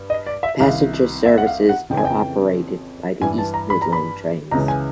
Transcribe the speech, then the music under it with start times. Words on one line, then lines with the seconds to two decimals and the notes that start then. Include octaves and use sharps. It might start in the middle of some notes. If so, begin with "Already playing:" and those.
Passenger services are operated by East Midlands Trains.
Already playing: G2
0.10 D#5
0.27 D5
0.43 E5
0.60 C2 C3 D#3 F5
1.26 E5
1.38 F#5
1.46 F5
1.69 F#5
1.90 F2 C#3 E3 G5
1.97 G#5
2.05 G5
3.21 G2 E3 G#5
3.38 A5
3.54 A#5
3.70 B5
3.82 A#5
3.93 B5
4.51 C#2 C#3 E3 A#5
4.68 G#5